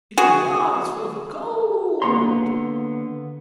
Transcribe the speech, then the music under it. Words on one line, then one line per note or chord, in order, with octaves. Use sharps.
It was full of gold.
F#4 G#4
D3 A#3 B3 C#5 A#5 C6